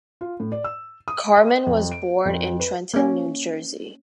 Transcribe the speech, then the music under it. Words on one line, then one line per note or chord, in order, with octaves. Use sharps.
Carman was born in Trenton, New Jersey.
F4
A2
D5
E6
D#6
D#5
F2
D7
F2
B4
A#3 C#4